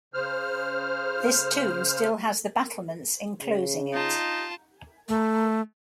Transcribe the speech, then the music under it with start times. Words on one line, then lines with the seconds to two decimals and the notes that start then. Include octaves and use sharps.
This tomb still has the battlements enclosing it.
0.14 C#3 C5 F6
3.40 C#3
3.94 D#4 F4 A5
5.08 A3